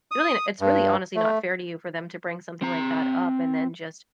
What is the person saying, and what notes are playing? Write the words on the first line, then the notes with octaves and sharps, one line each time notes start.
really n it's really honestly not fair to you for them to bring something like that up and then just
D#6
G2
A3
C4 A#5